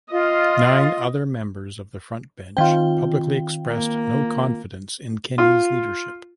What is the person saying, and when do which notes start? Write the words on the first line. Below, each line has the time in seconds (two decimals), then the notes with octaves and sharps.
Nine other members of the front bench publicly expressed no confidence in Kenny's leadership.
0.11 F4 D#5
2.57 D#3 C4 F4 G5
3.67 A#3
5.38 F4